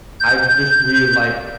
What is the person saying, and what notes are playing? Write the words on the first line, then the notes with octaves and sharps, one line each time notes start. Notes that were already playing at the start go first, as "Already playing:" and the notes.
I just really like
G6